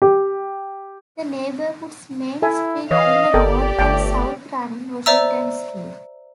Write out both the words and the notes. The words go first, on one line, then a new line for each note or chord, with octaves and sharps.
The neighborhood's main street is the north- and south-running Washington Street.
G4
E4 A4 E5 G#5
E3 C#5 D#5 F5
G1 G4 A4 A#4 D5 G5
G1 A3 G5
C5 D5 E5 A#5 E6